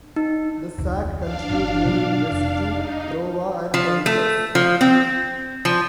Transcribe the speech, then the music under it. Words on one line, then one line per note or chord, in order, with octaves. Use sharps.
The Sac continued moving west to Iowa and Kansas.
D#4
F1 D2
D4 F5
G1 C#4
B2 F#3
F1
D#4
F3
A3
F3
C4
F3